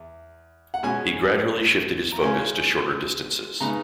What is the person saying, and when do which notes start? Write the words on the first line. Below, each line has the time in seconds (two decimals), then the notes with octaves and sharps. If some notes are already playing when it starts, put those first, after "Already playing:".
He gradually shifted his focus to shorter distances.
Already playing: E2
0.74 F#5
0.83 B2 G#3 C#4 G#5
2.12 A#5
2.22 C#3 G#3 C#4 G#5
3.60 C#3 G#3 B3 D#4 A#5